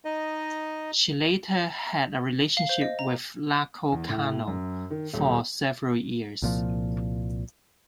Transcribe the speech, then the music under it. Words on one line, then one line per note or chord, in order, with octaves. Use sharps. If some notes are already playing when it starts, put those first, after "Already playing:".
She later had a relationship with Nacho Cano for several years.
D#4 D#5
F5
C5
D#5
A#5
E2
A2
F#2
D#3
D#1
C2 A#2 F3